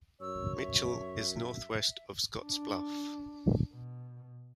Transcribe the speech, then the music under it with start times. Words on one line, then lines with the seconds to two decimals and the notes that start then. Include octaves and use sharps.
Mitchell is northwest of Scottsbluff.
0.21 F#2 C#5 E6
0.58 E5
2.44 D4
3.72 B2